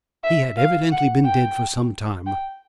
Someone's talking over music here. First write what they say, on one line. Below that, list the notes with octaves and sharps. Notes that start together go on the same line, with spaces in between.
He had evidently been dead for some time.
E5
F5
F#5
G5
G5